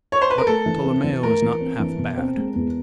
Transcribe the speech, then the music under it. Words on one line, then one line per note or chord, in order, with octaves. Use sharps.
But Tolomeo is not half bad.
C#5
C5
B4
A#4
A3 A4
E3
C4
E3
A3 A#4
E3
C4
E3
B2
C4
G#3
E2